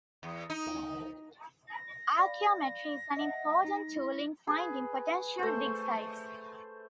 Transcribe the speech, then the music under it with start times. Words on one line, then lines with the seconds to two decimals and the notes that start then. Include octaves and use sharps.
Archaeometry is an important tool in finding potential dig sites.
0.23 E2
0.50 D#4
1.68 A#6
2.19 D5 F5 B5
3.17 D#5 E5 F#5
3.65 D#4
3.97 E4
4.47 G#4 B4
5.39 A3 C5